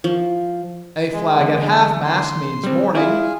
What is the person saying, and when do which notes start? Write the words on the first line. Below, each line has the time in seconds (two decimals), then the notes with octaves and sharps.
A flag at half-mast means mourning.
0.04 F3
1.13 G#3
1.39 E2 D3
2.04 C6
2.64 G3 C4
2.95 E4 F4 G#4